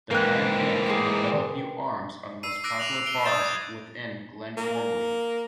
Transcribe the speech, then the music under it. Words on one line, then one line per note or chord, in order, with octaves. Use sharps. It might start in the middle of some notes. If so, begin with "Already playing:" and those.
The Glen Inn and the Bellevue Arms are the most popular bars within Glengormley.
G#2 E3 A#3 A#4 B4 F5 G5 F#6
G#4 C5 D6
E6 C7 D#7
D6 E6 F#6 A#6 C7 D7
F#6 F7 F#7
D7 G7
D#6 E6 G6 A6 E7 G7
G#6
A#3